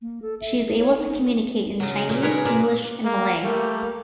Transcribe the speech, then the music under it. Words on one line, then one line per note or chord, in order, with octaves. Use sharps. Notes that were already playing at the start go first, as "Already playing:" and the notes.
She is able to communicate in Chinese, English, and Malay.
A#3
A4
E5
G#4
C#5
D#4
C#3 F#3
A#2
G#3 G#4 A#4 B4 C#5
A#2 A#4 D5
A#3
G3 A3 A#3